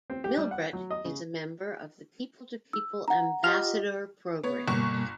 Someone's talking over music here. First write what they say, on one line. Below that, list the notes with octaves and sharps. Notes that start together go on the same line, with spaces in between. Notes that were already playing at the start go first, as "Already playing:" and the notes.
Milbrett is a member of the People to People Ambassador Programs.
C4
G4
G3
F#5
F#3
D#5
C#3
E6
F#5 A#5
F4 G4 D#5 F6
B3 C#5
G1 B2 G3 A#3 C#6